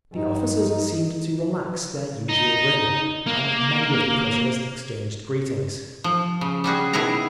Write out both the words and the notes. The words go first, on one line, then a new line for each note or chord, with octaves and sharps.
The officers seemed to relax their usual rigor, and many of the prisoners exchanged greetings.
G2 D#4
D#4
A#3
F3
C#3
G3 C#4 F#4 G#4
B2 D#3 E4 G#4 A#5